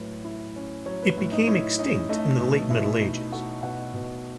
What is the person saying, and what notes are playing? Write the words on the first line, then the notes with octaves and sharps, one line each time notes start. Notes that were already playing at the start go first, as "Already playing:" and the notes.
It became extinct in the Late Middle Ages.
Already playing: A2 F#3 B4
E4
C#4
F#3 C#5
B4
A2 C#5
D#4 D#5
E4 C#5
C#4 D#4 D#5
A3 D#4 D#5
B2
B2 E4 E5
D#4
A3 F#4 F#5
B2 F#4 F#5
B2